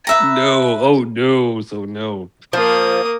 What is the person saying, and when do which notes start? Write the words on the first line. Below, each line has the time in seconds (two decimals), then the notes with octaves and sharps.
No, oh no, so no.
0.07 B4 E5 A#5
2.53 F3 A#3 D#6